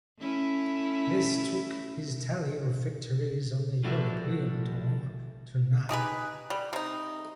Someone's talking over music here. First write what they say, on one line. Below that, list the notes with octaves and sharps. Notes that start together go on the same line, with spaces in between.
This took his tally of victories on the European Tour to nine.
A3 C#4 E4
F3 G3 A3 D4 E4 F#4
D#4 G4 G#4 B4
G3
C3 D#4